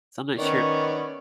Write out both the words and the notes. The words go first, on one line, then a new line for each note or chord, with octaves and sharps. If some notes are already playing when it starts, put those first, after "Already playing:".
so I'm not sure
D#3 B3 C#4 D5 C#6